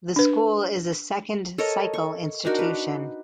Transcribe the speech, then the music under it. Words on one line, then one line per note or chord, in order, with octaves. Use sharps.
The school is a second cycle institution.
D4 B4
A4 A#4 C#5 D#5
C#6
D4 D#4 F#4 A#4
B4